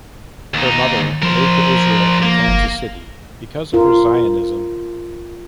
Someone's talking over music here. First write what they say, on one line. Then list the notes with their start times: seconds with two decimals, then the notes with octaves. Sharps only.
Her mother moved to Israel from Kansas City because of her Zionism.
0.54 D#2 D#4
1.22 F3 A#4 C5
2.23 A#3
2.47 G1
3.74 F4 A#4